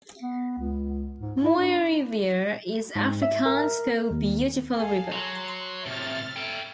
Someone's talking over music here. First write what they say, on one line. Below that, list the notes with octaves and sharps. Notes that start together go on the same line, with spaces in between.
"Mooirivier" is Afrikaans for "beautiful river".
B3
C#2
G#2
E4
D4
G#2
E5
A#4
D#2
G#4 A4 F5
F#3 C6
A2 C3 E5 F6 A6
A4 G5